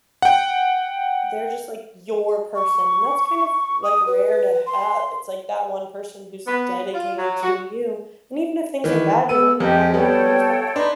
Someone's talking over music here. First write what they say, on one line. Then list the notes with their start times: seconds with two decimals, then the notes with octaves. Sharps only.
they're just, like, your person, and that's kind of, like, rare to have, it's like that one person who's dedicated to you, and even if things are bad, you might not wanna, like, lose that.
0.22 F#5 G5
2.55 C#6
3.83 D#6
4.07 B4
4.67 C6
6.47 B3
6.94 F4
7.18 F#3
7.43 F#4
8.84 D#3 E3
9.29 B3 E6 D#7
9.60 F2 G4 D#5
9.94 G3 B3 A4 C#5 G5
10.76 D4 D#4 B4 C6